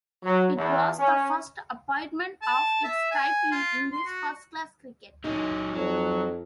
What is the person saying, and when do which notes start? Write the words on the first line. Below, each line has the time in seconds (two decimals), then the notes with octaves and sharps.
It was the first appointment of its type in English first class cricket.
0.24 F#3
0.56 E2
0.97 C#4
2.42 A5
2.84 E5
3.11 G#5
3.51 F4
3.93 C6
4.06 F#4
5.24 F#3 D#4 G4 D#5
5.74 F2 F#3